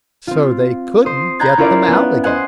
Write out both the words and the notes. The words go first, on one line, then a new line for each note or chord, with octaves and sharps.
So they couldn't get them out again.
C4 F4
C5 D#6
G5 A#5 B5 F#6 G#6 A6
C#4 E4 F4 A#4 C5 D5
B3 F#5
C5 D#5 F#5 G#5